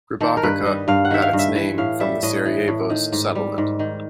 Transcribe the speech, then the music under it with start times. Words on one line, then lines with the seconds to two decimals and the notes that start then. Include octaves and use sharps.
Grbavica got its name from the Sarajevo's settlement.
0.21 D#3 A4
0.37 A#4
0.43 G2 B4
0.65 G3 D#5
0.88 G2 F5
1.05 F#5
1.11 D#3 E5
1.22 F5
1.33 G2
1.39 E5
1.55 E3 E5
1.78 A2 F5
2.00 G3 E5
2.23 A2 D#5
2.46 E3
2.68 A2
2.90 D#3
3.12 G#2
3.35 G3
3.58 G#2
3.79 D#3